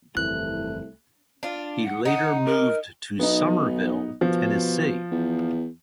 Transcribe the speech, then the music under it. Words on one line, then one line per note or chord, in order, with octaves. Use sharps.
He later moved to Somerville, Tennessee.
G1 C2 F2 E3 A3 F#6
D4 F4
F#5
D#4 F#5
A#4
B1 B3 D#4
B2 F3
E2